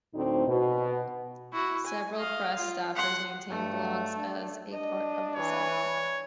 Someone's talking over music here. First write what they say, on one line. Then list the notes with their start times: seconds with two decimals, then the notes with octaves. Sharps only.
Several "Press" staffers maintain blogs as a part of the site.
0.14 D2 A2 C4 D#4
0.47 B2
1.53 E4 F#4
1.86 G#5
2.15 D#5 F5
2.57 F4
2.96 F#5 C6
3.50 G2 A3
4.17 D4
4.72 D4 D#5
5.36 E3 C#5